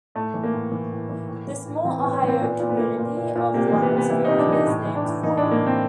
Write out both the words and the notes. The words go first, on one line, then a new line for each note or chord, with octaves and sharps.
The small Ohio community of Lawrenceville is named for him.
A2 A3
E3
A#3
A2
E3
A2
E3
A2
E3
A2
E3 C4
B3
A2
C#4
E3 C4
A#2 B3
A#2
B3
A#2 A#3
B3
A#2
A#2
A#2
C3 A#3
A#3
E3
B3
C3
B3
E3 E4
C3 D#4
D4
E3 D#4
A2
E3
D4
A2
E3 D#4
A2 D4
A#3
E3
C4